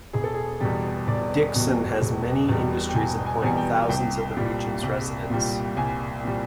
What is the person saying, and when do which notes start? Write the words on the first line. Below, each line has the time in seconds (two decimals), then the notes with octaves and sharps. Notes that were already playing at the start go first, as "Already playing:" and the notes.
Dixon has many industries employing thousands of the region's residents.
0.13 E1 G#4
0.24 A4
0.34 G#4
0.61 E2 B2 G3
1.08 E1 D5
1.54 E2 B2 G3
2.02 E1
2.49 E2 B2 G3
2.89 G5
2.95 E1 G#5
3.26 G#5
3.42 E2 B2 G3 G#5
3.57 G5
3.89 C2 G5
4.36 A#2 G3
4.83 C2
5.30 A#2 G3
5.77 C2 G#5
6.24 A#2 G3